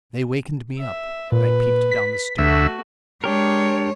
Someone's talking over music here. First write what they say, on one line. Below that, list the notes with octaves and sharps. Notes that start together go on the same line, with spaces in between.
They wakened me up and I peeped down the stair.
E5
A#2 B4
B6
D2 A3 F#4 E5
G#3 D4 G4 A#4 C#5